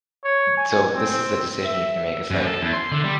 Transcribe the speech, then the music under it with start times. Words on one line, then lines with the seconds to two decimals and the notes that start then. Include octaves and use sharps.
n so, this is a decision you have to make, it's, like,
0.24 C#5
0.57 G#5
0.94 C4
1.65 E5
2.31 F#2
2.47 A4
2.61 E2
2.73 C6
2.92 D3
3.04 G3